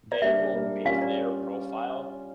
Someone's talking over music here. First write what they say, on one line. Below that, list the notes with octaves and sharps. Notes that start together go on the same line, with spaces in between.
they will make their profile
D5
G3 A#3 D4 E5
G3 A#3 D4
G3 C#4 F4 C#5 F5
D5